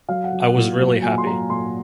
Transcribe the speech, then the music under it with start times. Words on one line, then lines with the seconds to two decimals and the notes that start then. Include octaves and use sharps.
I was really happy.
0.09 F#3 F5
0.24 F#5
0.32 F#3
0.40 F#5
0.56 A#2
0.79 F#3
1.02 A#2 G#5
1.18 C6
1.26 F#3 A#5
1.49 A#2 C6